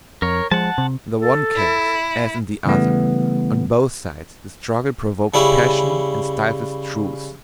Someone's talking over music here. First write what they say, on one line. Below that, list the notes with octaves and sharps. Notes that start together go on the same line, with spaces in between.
In the one case as in the other, on both sides the struggle provokes passion and stifles truth.
F2 A#4 C#5
F3 G#3 F#5 A5
C3
A4
E4
C#3 E3 G3 A3 B3
C#3 G3 C#4 E4